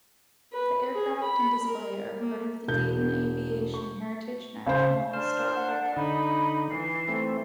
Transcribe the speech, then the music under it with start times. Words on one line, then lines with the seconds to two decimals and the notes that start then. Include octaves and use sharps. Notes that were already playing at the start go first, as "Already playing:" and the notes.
The aircraft and display are part of the Dayton Aviation Heritage National Historical Park.
0.52 B4
0.93 G#4
1.23 B5
1.63 A#4
2.19 A#3
2.68 E1 G6
3.74 C#6
4.67 C#3 C5
5.14 D4 C5 F6
5.55 F#5
5.97 D3 D#4 B5
6.71 E3 C7
7.08 A3 C4